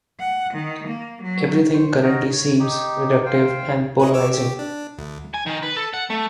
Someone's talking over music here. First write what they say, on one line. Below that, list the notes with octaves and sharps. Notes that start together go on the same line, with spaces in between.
Everything currently seems reductive and polarising.
F#5
D#3
A#3
F#3
C5 C#6
F#4 A#4 D#5
C#5
D#4 G4
C5 F5 G5
B4 C#5 D#5
C#5 D6 E6
G4
D4
D2
G#5
D#3
B4
A4
F#5
A3